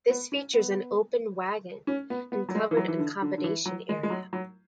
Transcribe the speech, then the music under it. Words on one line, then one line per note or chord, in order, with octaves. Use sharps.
This features an open wagon and covered accommodation area.
B3
C#4
B3
C#4
B3
B3
F#3
G#3
E3
F#3
E3
D3
D3
D3
E3
F#3
G#3
G#3
F#3
F#3